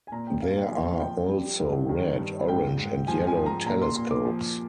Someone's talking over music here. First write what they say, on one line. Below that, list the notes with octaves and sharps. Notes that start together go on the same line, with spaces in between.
There are also red, orange and yellow telescopes.
G#5
A#2 A#5
G5
A#2 F5
G5
F3 G#5
F3 G5
G3
G2
D#3
G2
G#2 G5
G#2
F3 G#5
G#5
F3
A#5
A#2 A#5
C6
A#2 C6
D6
F3